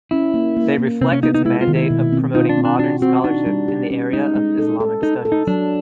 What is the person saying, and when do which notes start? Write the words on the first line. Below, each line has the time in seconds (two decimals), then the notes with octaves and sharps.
They reflect its mandate of promoting modern scholarship in the area of Islamic studies.
0.11 C#4 E4
0.34 A#3
0.57 A#3
0.78 A#3
1.01 C3 C4
1.12 C#4
1.23 B3 D#4
1.35 D#4
1.45 G#3 E4
1.61 F4
1.68 D#3
1.76 E4
1.90 B2
2.13 C4
2.34 D#4 F4
2.49 D4
2.58 C4
2.65 D4
2.79 D4 F#4
3.02 C4 F#4
3.24 D4 D#4
3.46 G3
3.68 G4
3.91 C#4
4.13 G#3 D#4
4.35 G#3
4.58 A4
4.80 A4
5.02 D#4 A4
5.25 A4
5.32 D#4
5.47 F#3 D4